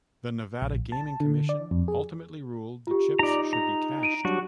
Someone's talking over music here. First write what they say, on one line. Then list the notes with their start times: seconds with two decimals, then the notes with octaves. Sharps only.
The Nevada Gaming Commission ultimately ruled the chips should be cashed.
0.62 A#1
0.92 A5
1.20 D3
1.49 D5
1.71 F2
1.88 G#4
2.87 F4 G4
3.19 D#4 D5 A#5
3.53 A#5
4.03 D7 D#7
4.25 F#3 G3 D4 F#4